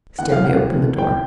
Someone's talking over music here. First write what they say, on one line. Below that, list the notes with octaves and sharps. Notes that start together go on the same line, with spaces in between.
Stanley opened the door.
D#2 C#3 E3 F#5
F5
F#5
G5